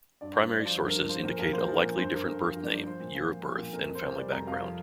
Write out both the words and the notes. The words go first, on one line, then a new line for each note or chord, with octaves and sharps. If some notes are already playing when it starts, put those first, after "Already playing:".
Primary sources indicate a likely different birth name, year of birth and family background.
G2 D5
G2
C5
D3
D5
F3 C5
G2
A#4
G2
F3 C5
A#2 A#4
F3 A#4
A#2 C5
F3
A#4
A#2
G2 C5
G2 A#4
D3 A#4
F3
G2
D5
G2
F3 C5
A#2
F3
A#2
F3
A#2
F2 A#4
F2
C5
C3
G3 D5
F2 A#5
F2 F5
F3